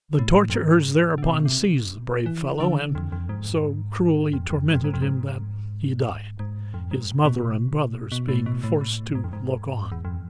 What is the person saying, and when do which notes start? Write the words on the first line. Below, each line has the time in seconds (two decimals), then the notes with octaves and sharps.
The torturers thereupon seized the brave fellow, and so cruelly tormented him that he died, his mother and brothers being forced to look on.
0.19 A2
0.50 F2
0.54 G#2
1.18 D3
1.23 C3
1.34 B2
1.45 C3
2.26 E3
2.60 D3
2.95 F2
3.12 F2
3.29 G#2
4.33 F2
4.50 F2
4.71 G#2
4.75 F2
4.84 G#2
4.94 F2
5.02 G#2
6.40 G#2
6.74 F2
6.91 G#2
7.25 B2
8.12 B2
8.28 A2
8.46 B2
8.64 A2
8.81 A2
9.15 G#2
9.24 F2
9.33 G#2
9.92 E2
10.05 F2